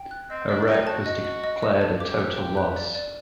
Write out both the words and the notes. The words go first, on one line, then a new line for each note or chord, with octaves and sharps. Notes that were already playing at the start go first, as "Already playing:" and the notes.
Her wreck was declared a total loss.
Already playing: G5
F#6
C4 D#5
D4 D#5
D#4 G5
F#4 A5
D#5
D#5
D#5
D#5
A5
G4 D6
F#6
G5
F#6
D5
D5